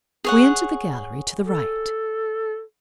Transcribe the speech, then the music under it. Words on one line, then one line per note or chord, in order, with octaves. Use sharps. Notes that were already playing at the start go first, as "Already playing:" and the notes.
We entered the gallery to the right.
G#4 C#5 F#5
A4